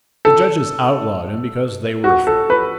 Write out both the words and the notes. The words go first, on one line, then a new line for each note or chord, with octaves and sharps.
The judges outlawed him because they were afraid.
A4
F#4
A4
B4